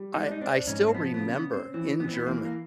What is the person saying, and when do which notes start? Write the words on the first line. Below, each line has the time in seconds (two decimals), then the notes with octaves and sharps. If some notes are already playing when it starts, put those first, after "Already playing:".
I I still remember in German
Already playing: G3
0.14 G#3 D#4
0.23 D4
0.31 D#4
0.41 C4 D4
0.67 G#2 C#4
0.88 C4
0.94 F3 B3
1.14 B3
1.20 C#3
1.34 B3
1.47 C#4
1.53 C4
1.74 E3 C4
2.00 E3 B3
2.08 C4
2.14 B3
2.26 E3 A#3
2.45 A#3